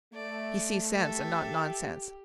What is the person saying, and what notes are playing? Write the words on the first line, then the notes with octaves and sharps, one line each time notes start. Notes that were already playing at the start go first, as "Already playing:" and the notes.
He sees sense, and not nonsense.
A3 D5
G4 A4 E5